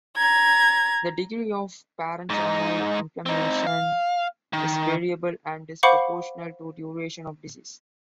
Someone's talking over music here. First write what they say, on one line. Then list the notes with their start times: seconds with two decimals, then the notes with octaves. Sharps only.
The degree of parenchymal inflammation is variable and is proportional to duration of disease.
0.15 A#5 G#6
2.30 G#2 D#4
3.26 C4 D#4
3.67 F5
4.53 D#3
5.83 C5 F5 F#5 B5 C#6 D6